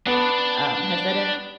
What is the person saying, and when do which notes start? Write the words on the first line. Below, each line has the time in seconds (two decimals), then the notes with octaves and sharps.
um, has that
0.07 B3 D4 D5